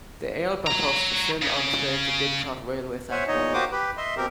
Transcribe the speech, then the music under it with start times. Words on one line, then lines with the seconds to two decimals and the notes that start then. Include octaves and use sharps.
The "Earl Bathurst" is still on display at the Didcot Railway centre.
0.67 C#5 A#5
1.42 C#3
3.11 C5 C#5 E5 F#5 G#5
3.28 E2 A#2 D#4 C#5 D#5
3.54 A#3 F#4 G4 C5 D6 D#6
3.71 G4 B4
3.97 D#5 E5 C6
4.17 B2 C4 G4 A#4